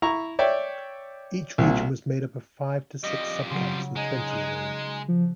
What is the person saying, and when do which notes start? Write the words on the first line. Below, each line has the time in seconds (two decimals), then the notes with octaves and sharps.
Each region was made up of five to six subcamps, with twenty in all.
0.02 E4 A#5 C#6
0.39 C#5 D5 E5 G5
1.58 C2 A#2
3.04 F2 G3 D#5
3.50 C#3 F#3 C6
3.96 G#3 D#4 G#5
4.30 F#6
5.08 F3